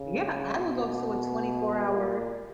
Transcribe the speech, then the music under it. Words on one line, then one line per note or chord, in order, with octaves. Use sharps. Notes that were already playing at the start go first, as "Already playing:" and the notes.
Yeah, I will go to a twenty-four-hour,
Already playing: C#3
B2
A#2